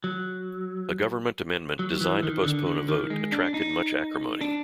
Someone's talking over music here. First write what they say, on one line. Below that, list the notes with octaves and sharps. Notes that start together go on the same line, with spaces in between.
A government amendment designed to postpone a vote attracted much acrimony.
F#3
F#3
E3
D#3
D3
D3
D#3
G#3
D4
D#4
D4